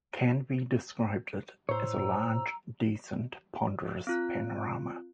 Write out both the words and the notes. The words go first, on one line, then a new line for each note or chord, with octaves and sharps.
Canby described it as "a large, decent, ponderous panorama".
A2 C5 C#5 A#5 E6
C4 F4 F#6